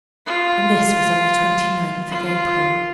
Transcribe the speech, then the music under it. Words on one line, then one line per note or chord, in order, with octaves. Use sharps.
And this was on the twenty-ninth of April.
F4
F4